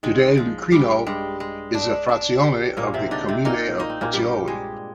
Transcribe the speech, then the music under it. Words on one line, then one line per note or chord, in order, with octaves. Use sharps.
Today Lucrino is a "frazione" of the "comune" of Pozzuoli.
D#3 G#3
F3 G#3
G2 G3 G4
G2 G3 G#3
G#3
D4
D4
G4
A#2 G#3 A#3
C3 C4
D3 D4 D#4
C3 C4
A#2 A#3 D#4
A#3 D#4
C4
A#2 A#3
G2 G3 G4
G#3